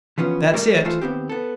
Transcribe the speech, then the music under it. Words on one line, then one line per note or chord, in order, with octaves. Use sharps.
"That's it."
E3 F3 B3 C#4
G3 A3 A#4
E3 A3 F4 A4 C5
D#2 B3 C4 G4
B3 A4